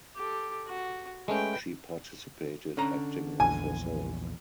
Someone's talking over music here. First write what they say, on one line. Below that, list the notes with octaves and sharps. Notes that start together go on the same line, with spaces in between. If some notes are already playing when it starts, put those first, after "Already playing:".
She participated acting of herself.
G4 A4
F#4
G#3 A3 C#4 B4 G5
D3 C#4 A#5
A#1 E2 G#5